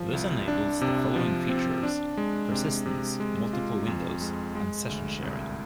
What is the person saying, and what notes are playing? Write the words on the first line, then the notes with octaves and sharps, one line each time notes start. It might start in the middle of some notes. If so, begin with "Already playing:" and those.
This enables the following features: persistence, multiple windows, and session sharing.
Already playing: F3
C2
D4
C3
F3
C4
D4
G#3
C3
C3
G#3
F4
F2
G#3
G#3
D2
C2